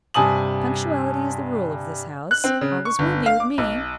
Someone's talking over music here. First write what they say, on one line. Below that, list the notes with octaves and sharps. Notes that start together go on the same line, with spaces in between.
Punctuality is the rule of this house--always will be with me.
G2 C3 G#5 A5 D#6 F#7
F#6
C4
C#3
C#6
G1
F5
D6
B1